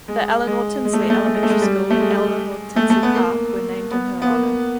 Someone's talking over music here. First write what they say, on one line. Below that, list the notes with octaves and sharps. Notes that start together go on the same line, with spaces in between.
The Eleanor Tinsley Elementary School and Eleanor Tinsley Park were named in her honor.
G#3
G#3
G#3
A3
G#3
A3
G#3
A3
G#3
A3
G#3
G3
A3
G#3
A3
A3
B3
A#3
B3
B3
A#3